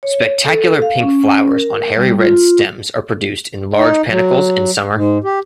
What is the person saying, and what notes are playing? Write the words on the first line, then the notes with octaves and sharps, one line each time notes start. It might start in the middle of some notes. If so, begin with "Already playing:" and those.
Spectacular pink flowers on hairy red stems are produced in large panicles in summer.
C#5
A4
F5
C#4
A#4
G3
F4
D#4
F#3
G#2
G4